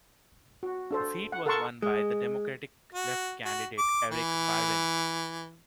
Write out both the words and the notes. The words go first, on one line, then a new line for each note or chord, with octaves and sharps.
The seat was won by the Democratic Left candidate Eric Byrne.
F#4
D4 A4 C5
F#5
A4 A#4 F#5 A5 C6 C#6
G#3
F#4
F#4
D6
E3